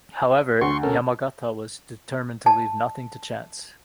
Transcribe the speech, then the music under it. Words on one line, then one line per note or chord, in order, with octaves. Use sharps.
However, Yamagata was determined to leave nothing to chance.
D2 C6 C#6
C#4 A4 A#4
A5